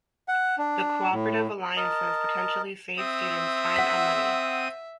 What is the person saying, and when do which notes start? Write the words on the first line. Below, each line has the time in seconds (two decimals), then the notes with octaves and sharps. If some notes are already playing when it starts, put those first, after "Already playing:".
The Cooperative Alliances potentially save students time and money.
0.28 F#5
0.58 D4
1.12 A2
1.77 A#4 D#5 A5
2.97 C4 E5 D#6
3.76 F#5 B6